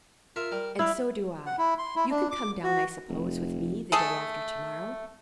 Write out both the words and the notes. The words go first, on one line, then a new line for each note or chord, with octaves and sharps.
"And so do I. You can come down, I suppose, with me the day after to-morrow?"
F4 A#4 E5
G3 A#4
E4 D5 F5 B5
F#5
E4
C6
E4
D4
D6
F#4
F1
A3 G#4 A4